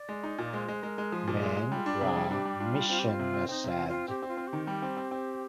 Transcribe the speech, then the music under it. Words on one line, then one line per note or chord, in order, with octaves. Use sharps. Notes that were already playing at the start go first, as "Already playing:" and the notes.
Man ra mishenasad.
Already playing: D5
G#3
D#4
A#2 D5
G#3 C5
G#3
G#3 A#4
G#3
F3 G#4
A#2
G#3
G#3
G3 F4
D4
C3 G#4
G3
D4 G4
G3
D4 F4
G3
C4 F4
G4
C4 F4
C3
C4
C4 D#4
C3 F4
C4
F4
C4
C4 G4
C4
F4
C4
G4
D#3
G3 G4
C4
C4
C4